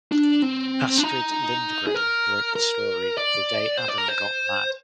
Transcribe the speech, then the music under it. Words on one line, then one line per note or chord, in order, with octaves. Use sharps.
Astrid Lindgren wrote the story "The Day Adam Got Mad".
D4
C4
D4
D#4
G#4
A#4
A#4
D5
C5
D5
A#4
C5